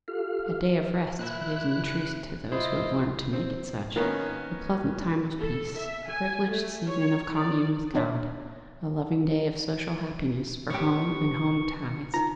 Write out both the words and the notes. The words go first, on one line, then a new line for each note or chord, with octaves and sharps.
A day of rest it is in truth to those who have learnt to make it such; a pleasant time of peace; a privileged season of commune with God; a loving day of social happiness for home and home ties.
F4 G4 A4 F5 F6
A#2 E4 F#6
E4 F4 C5 D#5
C4
D#3 A#3 B3 C#4
A4
E5
G#5
A3
C#5
D5
B3 D4 C#5 D5 E5
B3 C#4 G4 C#6
D#4 F4 A#5